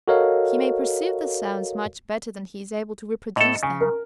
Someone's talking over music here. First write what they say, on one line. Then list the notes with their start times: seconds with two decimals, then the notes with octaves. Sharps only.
He may perceive the sounds much better than he is able to reproduce them.
0.08 F#4 A4 A#4 C#5 D#5 F5
3.36 A2 A4 D#5
3.63 C#3 G#5
3.80 A#4